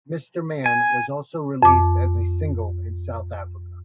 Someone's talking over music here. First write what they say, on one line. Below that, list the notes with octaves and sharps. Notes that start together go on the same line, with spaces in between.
"Mister Man" was also released as a single in South Africa.
G#5
F2 D6